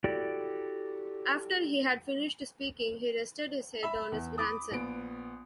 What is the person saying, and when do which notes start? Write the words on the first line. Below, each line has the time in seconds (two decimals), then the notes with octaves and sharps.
After he had finished speaking, he rested his head on his grandson.
0.04 E4 F#4 G4 A4 D5
3.83 E5 B5
4.12 E2
4.38 B5 D6 D#6
4.71 A#1 B3 D7